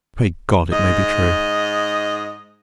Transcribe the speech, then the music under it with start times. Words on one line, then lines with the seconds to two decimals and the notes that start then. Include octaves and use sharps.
Pray God, it may be true!
0.73 G#2 D#5